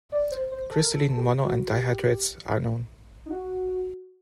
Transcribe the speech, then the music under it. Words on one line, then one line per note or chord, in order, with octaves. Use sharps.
Crystalline mono- and di-hydrates are known.
D5
C5
C5
A4
A#4
A4
A4
G4
F#4
G4
D#4
F#4